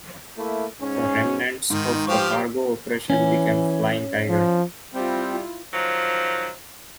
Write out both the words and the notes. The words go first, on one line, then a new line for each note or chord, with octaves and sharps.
The remnants of the cargo operation became Flying Tiger.
A3 A#3 E4
G#2 C#4
G#2 D#3
F3 G4 B4 C5 F5 C#6
E3 C#4
F3
G3 C4 E4 F4
D#3 F3 F#3